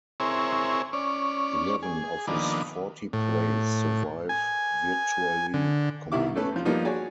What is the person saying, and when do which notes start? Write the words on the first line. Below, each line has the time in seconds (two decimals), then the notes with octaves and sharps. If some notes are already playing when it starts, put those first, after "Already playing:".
Eleven of his forty plays survive virtually complete.
0.20 C4 E4 G#4 A#4 C#5
0.93 C#4 D5
1.83 G#4
2.27 D#3 F3 A#3 B3 D4
3.13 A2
4.29 G#5
5.54 D3
6.12 C2 B2 D#3 E4 G4 D6
6.36 A3 C#4 A4 B4
6.52 F2 F3
6.65 F3 G3 A#3 B3 D#4 F4
6.85 F#4 G#4 C#5 D5